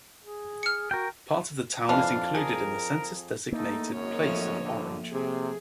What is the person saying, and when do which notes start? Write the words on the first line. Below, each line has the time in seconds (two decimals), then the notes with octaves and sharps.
Part of the town is included in the census-designated place of Orange.
0.24 G#4
0.63 F6 C#7
0.91 F#4 A#4 G5
1.89 F2 E3 D4 F5
2.35 G#4 A#4
3.52 E2 A3 A#3 D#4 A4
3.92 G#1 F#2 C#5 D#5
4.23 A2 F3
4.61 A#1 D3
5.12 C3 G#4